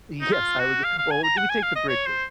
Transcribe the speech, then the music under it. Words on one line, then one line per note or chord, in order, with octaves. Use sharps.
Yes, I would Well, do we take the bridges?
D#4
F4
F#4
F5
F5
G#5
A#5
F#5
G#5
F5
D#5
C#5
C5